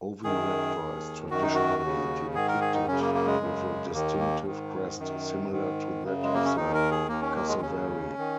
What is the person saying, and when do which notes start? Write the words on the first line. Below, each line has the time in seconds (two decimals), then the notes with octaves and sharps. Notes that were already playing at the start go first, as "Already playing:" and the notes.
"Oviraptor" is traditionally depicted with a distinctive crest, similar to that of the cassowary.
0.24 F#2 D#3 G#4
0.77 D#2 D#3
1.30 F#2 D#3 F#4
1.42 D#4
1.55 F#4
1.82 D#2 C#3
2.35 G#2 D#3 G#4
2.48 A#4
2.61 G#4
2.74 D#4
2.88 F#2 C#3 C#4
3.01 A#3
3.15 A#3
3.27 G#3
3.40 F#2 C#3
3.93 D#2 D#3 A#3
4.19 A#3
4.46 G#2 D#3
4.99 F#2 D#3
5.51 G#2 D#3
6.04 F#2 C#3
6.23 G#3
6.34 A#3
6.45 C#4
6.56 D#2 D#3 D#4
6.74 A#4
6.91 G#4
7.09 D#2 D#3 A#3
7.22 C#4
7.35 A#3
7.48 G#3
7.61 D#2 C#3 C#4
8.18 D#3